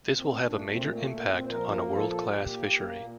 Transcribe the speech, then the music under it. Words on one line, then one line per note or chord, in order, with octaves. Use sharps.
This will have a major impact on a world-class fishery.
A#2
C4
A#2
D4
A3
A#2 C4
A3 A#3
A#2 A#3
A#2 C4
C5
F3 A#4
A#3 A#4
F3 A4
A#2 A4
A#2 G4
A#3
A#3
A#2